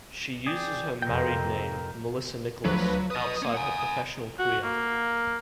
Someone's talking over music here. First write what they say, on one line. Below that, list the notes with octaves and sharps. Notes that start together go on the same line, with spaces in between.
She uses her married name, Melissa Nicholas, outside her professional career.
G#4 D5 G5
F2 C3 A#4 G5
D2 F3 F#3 B4
B4 D#5 D#6
A#3 C#4
F#5 G#5
F#4
A#3